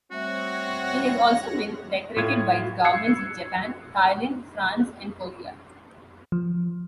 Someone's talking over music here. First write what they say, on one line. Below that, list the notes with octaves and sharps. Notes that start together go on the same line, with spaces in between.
He has also been decorated by the governments of Japan, Thailand, France and Korea.
G3 A3 C4 F#4 C#5 E5 F#5 A#6
A2 F4 G#6
E6 F#6 G#6 C7 C#7
F3